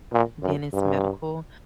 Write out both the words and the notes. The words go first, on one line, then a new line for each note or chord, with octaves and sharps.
Dennis Medical,
A#2
F#2
G2